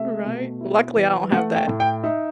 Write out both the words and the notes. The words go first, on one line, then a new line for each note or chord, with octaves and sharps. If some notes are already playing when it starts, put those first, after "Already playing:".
Right. Luckily, I don't have that.
Already playing: C3 A3 E5
B2
E4
E3
A3 F#5
G5
A2
G5
D#4 E5